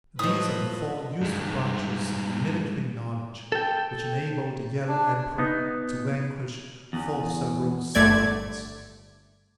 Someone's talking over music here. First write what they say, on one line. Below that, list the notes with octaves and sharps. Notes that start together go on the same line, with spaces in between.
These are the four useful branches of military knowledge which enabled the Yellow Emperor to vanquish four several sovereigns.
A2 F3 B4 D#5 D#6
G2 G#3
A4 G5
D4
B3 D#4
E2
G1 A3 D5 G#6